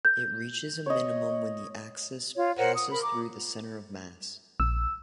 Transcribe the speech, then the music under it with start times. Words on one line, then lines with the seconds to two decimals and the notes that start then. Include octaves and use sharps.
It reaches a minimum when the axis passes through the center of mass.
0.05 G6
0.86 C#5 D#5
2.35 F4 C#5
2.58 A#4 C5 C#5 F#5
2.74 D#6
2.90 A#4 B5
3.02 A#5 D6
4.60 A#1 E6